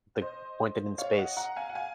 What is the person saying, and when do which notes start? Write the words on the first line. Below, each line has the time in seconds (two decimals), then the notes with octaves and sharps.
the pointed in space,
0.22 C5 D#5
0.98 C#5 F5
1.17 D#5 F#5
1.37 F#5 A#5
1.56 F5 G#5
1.69 F#5
1.75 F5 G#5